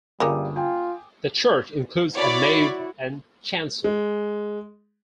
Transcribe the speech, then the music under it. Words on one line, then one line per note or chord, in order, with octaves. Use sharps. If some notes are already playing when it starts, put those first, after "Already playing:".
The church includes a nave and chancel.
G1 C#3 G3 A#3 C#4 D6 D#6
F4 G5 G#5
E4 F#4 C#5 D5 B5
G#3